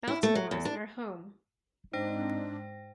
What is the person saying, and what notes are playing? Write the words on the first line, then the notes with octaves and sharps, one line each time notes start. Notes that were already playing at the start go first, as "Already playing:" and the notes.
Baltimore's our home.
E4
A3
F#3
E2
D4
G#2 C4 D4 D#4 C5 G5 A#6